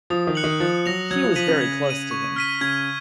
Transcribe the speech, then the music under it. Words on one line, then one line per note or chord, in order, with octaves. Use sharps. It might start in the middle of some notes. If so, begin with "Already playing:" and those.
She was very close to him.
F3 D#6
D#3
F#6 C#7 F#7
D#3
F3 F#6
F#3 A#6 F7
F#3 G#6
F3
F3 B6 D#7 F#7
C#3
G#6
D#7 F#7
C#6
F6 B6 D#7
C#3 G#6